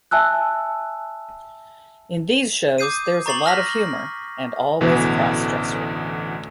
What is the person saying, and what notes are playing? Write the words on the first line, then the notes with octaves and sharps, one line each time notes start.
In these shows there's a lot of humor, and always a cross-dresser.
E5 G#5 A5 E6 F#6
D6 D#6 G6 C7 D#7
A#5 C#6 A6 C7 F#7
F6 A#6 B6
A1 D2 B2 E3 A3